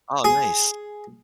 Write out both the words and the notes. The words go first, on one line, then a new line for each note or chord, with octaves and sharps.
Oh, nice.
G#4